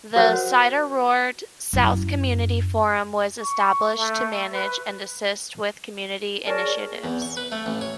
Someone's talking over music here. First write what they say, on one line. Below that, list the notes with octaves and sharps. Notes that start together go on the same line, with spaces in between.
The Suideroord South Community Forum was established to manage and assist with community initiatives.
F#4 A#4 C5 C#5 F#5
F#2 E4
C#6
A3
B4
G#4 A#4 C#5 D5 A5
E2
C#6
B4
A3
A1
C#5